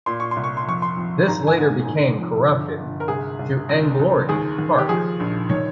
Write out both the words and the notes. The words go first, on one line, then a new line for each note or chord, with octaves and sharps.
This later became corrupted to Englorie Park.
A#2 C6
C#6
C6
C2
C#6
C6
F2 C#6
C6
F2
G#1 A#5
G#5
G#2
F1
F3
G1
G1
A#4
C2 G#4
C2
C#2
C#2
D#2 G#4
D#2
G4
F3 G#4
A#1
D#3 C#5